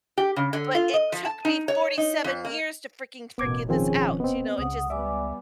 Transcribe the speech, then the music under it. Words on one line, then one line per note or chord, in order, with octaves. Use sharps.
but it took me forty-seven years to freaking figure this out, you know? It just
G4
C#3
D3
F4
D#5
F3
A5
D#4
C#5
D#4
F2
A#3
D#1 A1 B2 A#3 B3 D6 G#6
B2 D#3 F3 C4 C#4 G#4 G#5
B3 C4 D#5
C#2 C#3 F#5 D#6
G3 B3 D5 E5 G#5 D6